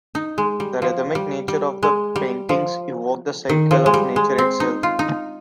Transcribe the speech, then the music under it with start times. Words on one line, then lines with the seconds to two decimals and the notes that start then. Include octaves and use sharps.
The rhythmic nature of the paintings evoke the cycle of nature itself.
0.15 D#4
0.38 G#3
0.60 G3
0.82 F3
1.15 G3
1.48 G3
1.83 G#3
2.16 G3
2.49 F3
3.49 D#3
3.71 F3
3.86 G#3
3.94 G3
4.16 G#3
4.38 C4
4.60 D#4
4.83 F4
4.99 D#4